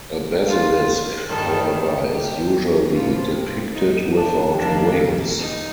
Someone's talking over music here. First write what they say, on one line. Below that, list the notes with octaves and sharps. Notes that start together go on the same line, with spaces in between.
A basilisk, however, is usually depicted without wings.
F4
G2 D#3 G3 A4
G4
A2 F3 C4 F4
D#4
D4
F2 D#3 G3 A#3 D4
D#4